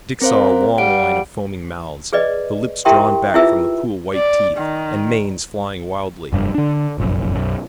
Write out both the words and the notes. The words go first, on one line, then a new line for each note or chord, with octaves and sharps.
Dick saw a long line of foaming mouths, the lips drawn back from the cruel white teeth, and manes flying wildly.
C4 A#4 C5 F5
G3 F5 F#5 D7
G#4 B4 D5 D#5
E4 G4 A#4 E5 G5 C6
E4 F4 G#4 B4 E5 E6
D5
D#3
F1 G2
D3 D4
F1 A#1 F#2
B1 F#2